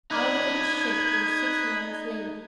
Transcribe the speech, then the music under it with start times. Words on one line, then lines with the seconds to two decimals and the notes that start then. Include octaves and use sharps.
Out of each ship were six men slain.
0.11 D#4 D5 B5 D#6 F#6 G#6